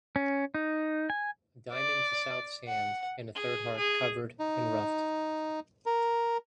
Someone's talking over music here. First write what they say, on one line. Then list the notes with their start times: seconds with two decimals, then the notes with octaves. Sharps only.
A diamond to South's hand, and a third heart covered and ruffed.
0.16 C#4
0.54 D#4
1.10 G#5
1.74 D5
2.68 F#5
3.35 G#4
3.77 G#4
4.40 D#4
5.86 A#4